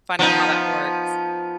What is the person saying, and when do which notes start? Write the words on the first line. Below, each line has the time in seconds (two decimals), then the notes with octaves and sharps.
Funny how that works.
0.19 F3 B3 D#4